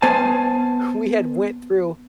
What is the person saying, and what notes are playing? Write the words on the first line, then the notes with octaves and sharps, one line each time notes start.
we had went through
B3 C5 G#5 A5